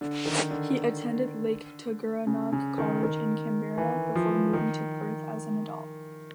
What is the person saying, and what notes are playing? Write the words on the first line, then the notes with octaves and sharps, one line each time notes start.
He attended Lake Tuggeranong College in Canberra, before moving to Perth as an adult.
D3
D#3
D3
C#3
C#3
D#3
D#3
E3
F3
D#3